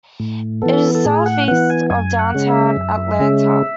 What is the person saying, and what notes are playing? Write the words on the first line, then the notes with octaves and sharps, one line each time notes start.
It is southeast of downtown Atlanta.
A2
E3 B3 A4
A4
A2 G#4
F#5
E3 B3 F#5
G#5
F#2 G#5
F#5
C#3 G#3 C#4
E5
F#2
C#3 G#3 C#4